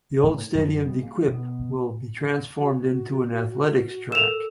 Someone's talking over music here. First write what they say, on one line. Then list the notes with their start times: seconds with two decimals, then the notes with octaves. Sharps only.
The old stadium 'De Kuip' will be transformed into an athletics track.
0.23 A2
0.55 F#2 D#3 F3 G#3
0.85 C3 G3 B3
0.99 G#3 A#3
1.28 B2 B3
2.58 F#4
4.12 A4 A#4 E6 E7 F7